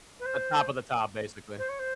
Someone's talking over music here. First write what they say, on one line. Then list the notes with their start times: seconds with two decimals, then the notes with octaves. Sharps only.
The top of the top, basically.
0.19 B4
0.25 C5
1.58 C5
1.69 C#5
1.79 C5